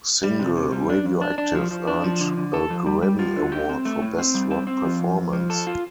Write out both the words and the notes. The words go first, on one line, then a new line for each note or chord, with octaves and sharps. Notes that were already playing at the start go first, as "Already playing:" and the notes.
Single "Radioactive" earned a Grammy Award for Best Rock Performance.
G3
C3
C3
G3
D4
F2
D4
D4
F3
F3
D4
F3
D3
D3
A4
F3
G3
G3
F4
D3
G4
C4
A3
A2
C4
G3
C4
C4
F3
F2
F2
F3
A4
F4